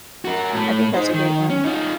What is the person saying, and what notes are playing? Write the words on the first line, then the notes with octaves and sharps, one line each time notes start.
I think that's a great one.
F#4 A#4
A2 A3
D#4 C5
D#3
C#4
D#4 F4